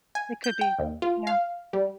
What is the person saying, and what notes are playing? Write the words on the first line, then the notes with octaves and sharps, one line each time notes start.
It could be, yeah.
G#5
G6
G5
D#2
F4
F5
G3